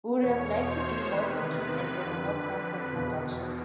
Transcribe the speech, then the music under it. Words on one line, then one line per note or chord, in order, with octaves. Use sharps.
We would have liked to do more tweaking, and have more time for production.
E2 B2 C#5
C5
E2 C3 D#3 B4
F2 D3
E2 B2